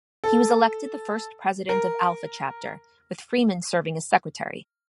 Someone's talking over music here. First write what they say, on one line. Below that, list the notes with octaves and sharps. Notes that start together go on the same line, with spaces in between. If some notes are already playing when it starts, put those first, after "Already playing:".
He was elected the first president of Alpha Chapter, with Freeman serving as secretary.
A4
A#4